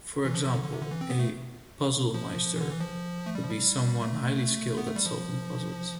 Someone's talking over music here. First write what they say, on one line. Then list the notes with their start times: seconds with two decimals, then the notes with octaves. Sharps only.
For example, a "puzzle-meister" would be someone highly skilled at solving puzzles.
0.25 E3
0.34 F3
0.45 F3
0.53 D3
0.64 D3
0.73 C3
0.81 D3
0.91 E3
1.01 C4
1.10 B3
1.19 A3
2.14 F3
2.56 E3
2.61 D3
2.70 E3
2.80 F3
3.26 A3
3.35 G3
3.43 F3
3.50 G3
4.02 A3
4.78 B3
4.87 A3
4.96 G3
5.05 F3